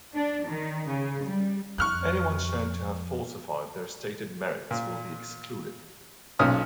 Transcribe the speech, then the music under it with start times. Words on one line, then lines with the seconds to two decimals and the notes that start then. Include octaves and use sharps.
Anyone shown to have falsified their stated merits will be excluded.
0.13 D4
0.47 D#3
0.88 C#3
1.24 G3
1.78 F2 C#6 F6 F#6
4.71 A#2
6.39 B1 A#2 C#4 D#6 F6